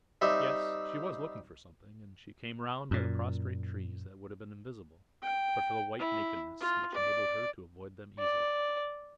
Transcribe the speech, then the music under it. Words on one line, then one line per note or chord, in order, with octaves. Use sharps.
Yes, she was looking for something; and she came round by the prostrate trees that would have been invisible but for the white nakedness which enabled her to avoid them easily.
G3 C4 D#4 E5
F#2 A#2
G5
E4
F4
D5
D5